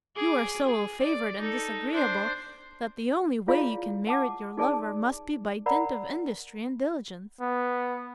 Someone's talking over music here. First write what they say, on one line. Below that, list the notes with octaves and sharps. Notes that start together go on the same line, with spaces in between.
You are so ill-favored and disagreeable that the only way you can merit your lover must be by dint of industry and diligence.
G#4 D6
G#4
D5
D#4 A4
D4 C5
E4 F4 G#4 C#5 D5 F5
F#5 A5 D6
D#4 G#4 D5 A5 D6
A#4 D5 F#5 A#5 B5
B3